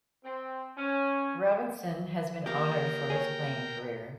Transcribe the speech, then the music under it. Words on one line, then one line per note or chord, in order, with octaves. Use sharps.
Robinson has been honoured for his playing career.
C4
C#4
A#3 G4 A#4 G5
G#4 C#5